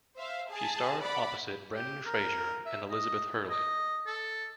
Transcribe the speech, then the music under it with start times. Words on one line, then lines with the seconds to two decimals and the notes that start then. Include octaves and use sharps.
She starred opposite Brendan Fraser and Elizabeth Hurley.
0.16 C5 E5 F5
0.49 G#4 G#5 A5
1.00 D5 F#5 B5
1.73 G4
2.06 A#4
2.66 E5
2.90 D#5
3.50 D#5
4.07 A4